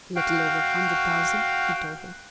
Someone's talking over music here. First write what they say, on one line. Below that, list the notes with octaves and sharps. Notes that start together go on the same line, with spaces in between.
"A little over a hundred thousand," he told her.
F#4 F5 G5